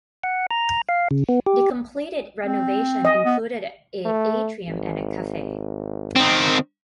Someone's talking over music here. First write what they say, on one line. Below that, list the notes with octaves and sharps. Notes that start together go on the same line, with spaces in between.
The completed renovation included a atrium and cafe.
F#5
A#5
F5
C#3
B3
G4
C4
D#5
B3
A3
G#1
D#3 C4